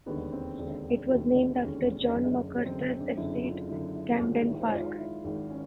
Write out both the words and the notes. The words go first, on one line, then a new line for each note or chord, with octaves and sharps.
It was named after John Macarthur's estate "Camden Park".
E1 D#2 D3 B3
C4
E1 D#2 D3
E1 D#2 D3
E1 D#2 D3 C#4
F#1 F#2 D3
F#1 F#2 D3 C4
C#4
D4
F#1 F#2 D3 E4
F4
F#1 F#2 D3 E4
E4
G#1 G#2 D#3 F4
E4
G#1 G#2 D#3 F4
E4
G#1 G#2 D#3
C#4